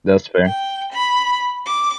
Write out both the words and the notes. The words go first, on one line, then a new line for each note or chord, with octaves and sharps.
That was fair.
G5
B5
D6